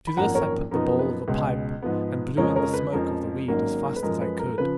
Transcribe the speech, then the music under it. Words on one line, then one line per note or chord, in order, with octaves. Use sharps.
To this I put the bowl of a pipe, and blew in the smoke of the weed as fast as I could.
B5
G#1 F#2 F3 A#3 F#5 A#5
A#4 C#5
F#2 F3 B3 D#4 A#4
B4
C#2 B2 G#3
G#2 F3 B3
F2 C#3 F3 G#3 C#4 A#4 C#5
A#4 C#5
B4
F2 F3 G#3 C#4 A#4
G#1 G#2 F#3 A#3 C#4
B4
F#2 F3 G#3 A#4
B4
A#4
C#3 F3 B4